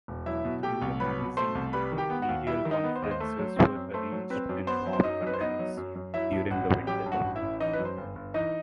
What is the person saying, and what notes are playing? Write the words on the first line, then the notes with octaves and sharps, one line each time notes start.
Through the magazine, medial conferences were arranged in warm countries, during the winter.
E1
F#3 E4 E5
B2
A3 G4 G5
C2
F#3 B4 B5
B2
A3 C5 C6
C2
G3 B4 B5
D#3
G4 G5
B3
F#4 F#5
D#2
G3 E4 E5
D#3
D#4 D#5
B3
C5
D#2 D#5
C5
A3
F#3
C4
F#2
A3 C5
F#3
C4 B4
F#2
B3 C5
F#3
C5
F#2 D#4 D#5
F#2 B4
C5
B3 D#4 D#5
F#3
F#2
F#2
F#3 E4 E5
G2
A1 F#4 F#5
A1
F#3 G4 G5
G2
F#4 F#5
A1
E4 E5
A1
E3 D#4 D#5
B4
F#2
C5
G1
G1
E3 D#4 D#5